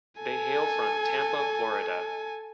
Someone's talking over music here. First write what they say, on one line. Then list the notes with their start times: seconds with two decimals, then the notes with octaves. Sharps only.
They hail from Tampa, Florida.
0.21 A4 G#5